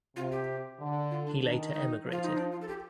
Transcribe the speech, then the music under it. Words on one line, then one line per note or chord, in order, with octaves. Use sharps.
He later emigrated.
C3 F4
G4
D3
F4
D4
D#3 D4
D#4
F3
F4
D#4
D4
F4
A4
G4